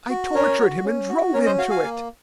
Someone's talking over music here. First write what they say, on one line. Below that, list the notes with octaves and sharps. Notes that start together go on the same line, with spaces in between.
I tortured him and drove him to it.
F#4
C#4 A#4 C#5
F#4
C#4
F#4
C#4 A#4 C#5
C5 D#5
F#4 C#5 F5
F5 G#5
A#3